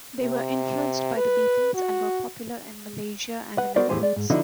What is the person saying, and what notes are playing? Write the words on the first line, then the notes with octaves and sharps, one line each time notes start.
They were influenced by The Beatles, and were popular in Malaysia and the Netherlands.
C3
B4
F#4
B4 F#5
B3 F#4 A#4 C5 D5
E2 A2 G#3 G4 C5 G#5
G#3 D5
G#2
D3 F3 D#4 E4 F#4